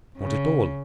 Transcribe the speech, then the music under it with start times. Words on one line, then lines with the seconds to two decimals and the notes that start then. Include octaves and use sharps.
"Not at all."
0.17 C#3